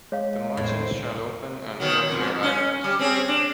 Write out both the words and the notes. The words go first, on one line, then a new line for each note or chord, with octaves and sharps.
The merchants shall open and close their wagons.
G#3 C#5 F5
E2 A2 E4 C5
B2 D#3 F#3
F2 G#2 B2
C#4
G3
C4 C#4 G#4
D4